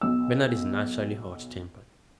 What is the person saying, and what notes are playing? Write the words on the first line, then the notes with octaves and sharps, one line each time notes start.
"Bernard is naturally hot tempered."
B1 E6